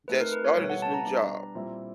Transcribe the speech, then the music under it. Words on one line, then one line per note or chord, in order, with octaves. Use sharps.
that's starting this new job
A3 C4 D#4 B4
A#4
B4
C#5
B2 G3 B3 E4 A4 C#5
F#5
A5
A#5
G3 B3 D4
A#2 G3 C4 E4